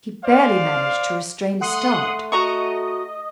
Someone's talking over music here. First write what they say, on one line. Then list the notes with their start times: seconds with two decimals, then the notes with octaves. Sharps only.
He barely managed to restrain a start.
0.24 C5 D5 F5
1.61 A3 F#5 C6 D#6
2.32 F#4 D#5 A#5 C#6